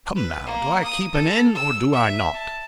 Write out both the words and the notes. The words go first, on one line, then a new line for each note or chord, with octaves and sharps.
Come now, do I keep an inn, or do I not?
B4
A#3
D#6
A4
E6
E5
A5